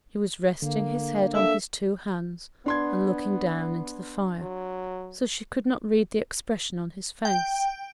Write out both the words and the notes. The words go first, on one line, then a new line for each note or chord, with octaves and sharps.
He was resting his head on his two hands, and looking down into the fire, so she could not read the expression on his face.
D3 A#3
D4 A4 E5
B3 D4 C6 G#6
F#3
G5